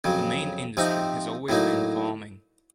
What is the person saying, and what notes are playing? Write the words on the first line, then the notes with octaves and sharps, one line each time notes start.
The main industry has always been farming.
F2 C#3 F#3
C3 F3 C4 D#4
A2 F#3 A#3 D#4